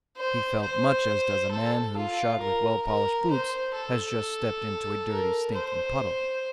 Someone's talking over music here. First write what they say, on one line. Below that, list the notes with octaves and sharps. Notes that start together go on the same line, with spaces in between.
He felt much as does a man who, shod with well-polished boots, has just stepped into a dirty, stinking puddle.
C5
C5
A4
F4
A#4
A#4
C5
A4
A#4
C5